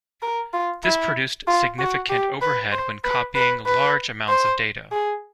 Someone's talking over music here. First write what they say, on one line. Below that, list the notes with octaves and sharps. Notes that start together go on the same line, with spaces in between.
This produced significant overhead when copying large amounts of data.
A#4
F4
E4
F4
F#4
G4
B4
C5
B4
B4
B4
C5
G#4